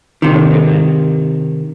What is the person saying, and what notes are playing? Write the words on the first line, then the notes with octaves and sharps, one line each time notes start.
Have a good night.
C3 D#3